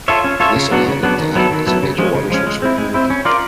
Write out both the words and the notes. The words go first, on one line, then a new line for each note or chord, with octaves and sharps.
This allowed it to act as a major water source for the community.
F4 A4 C#5 E5
C#4
F4 A4 C#5 E5
C#3
F#3 B3 D4 F#4
C#3
F#3 B3 D4 F#4
D#3
F#3 B3 E4 A4
D#3
F#3 B3 E4 A4
C#3
F3 G#3 C#4
C#3
F3 G#3 C#4
G#3
C4 E4
G#3
C4 E4
C#4
F4 A#4 D5 F5